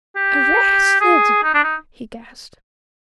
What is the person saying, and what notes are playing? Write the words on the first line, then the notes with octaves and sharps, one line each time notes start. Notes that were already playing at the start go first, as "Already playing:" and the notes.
"Arrested!" he gasped.
G4
G#4
D#4
D4
D#4